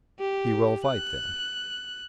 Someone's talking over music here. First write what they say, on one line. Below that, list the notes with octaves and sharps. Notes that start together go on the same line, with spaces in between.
"He will fight, then?"
G4
F#6